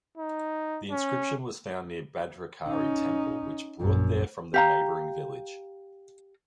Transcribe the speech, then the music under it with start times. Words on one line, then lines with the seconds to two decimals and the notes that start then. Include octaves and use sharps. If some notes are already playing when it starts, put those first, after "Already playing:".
The inscription was found near Bhadrakali Temple which brought there from the neighbouring village.
0.17 D#4
0.91 C#4
2.67 C#4 D#4
3.80 A#1 F#2
4.54 G4 F5 A#5